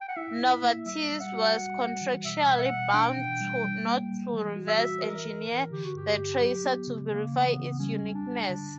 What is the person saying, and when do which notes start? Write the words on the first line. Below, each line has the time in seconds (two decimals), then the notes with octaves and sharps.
Novartis was contractually bound not to reverse-engineer the tracer to verify its uniqueness.
0.01 G5
0.09 F#5
0.17 E4 E5
0.40 E4
0.63 A#3
0.86 G3 E5
1.09 G3
1.20 F#5
1.32 F#4
1.56 G3
1.78 G3
2.01 E3
2.25 B2 E5
2.48 B2
2.59 F#5
2.71 B2
2.94 D4 G5
3.17 E3
3.40 G3
3.64 G3
3.86 A#3
4.10 G3
4.33 E3
4.56 F#4
4.68 E5
4.79 F#4
5.02 E3 A#4
5.25 E3
5.48 E3
5.71 D3 G4
5.84 F#4
5.95 G2 G4
6.18 G2
6.41 F#3
6.64 B3
6.87 C#3
7.10 C#3 A#3
7.33 E3
7.45 B3
7.56 C#3
7.79 G3 C#4
8.03 E2
8.14 D4
8.26 G3
8.49 D3